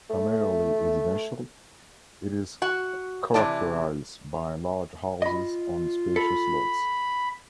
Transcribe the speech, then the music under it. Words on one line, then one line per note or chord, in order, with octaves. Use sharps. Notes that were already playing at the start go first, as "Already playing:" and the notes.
Primarily residential, it is characterized by large houses on spacious lots.
A3
F#4 F#5
C3 E3 C#4 F4 D5 A5
F4 D#5 B5
A4 B5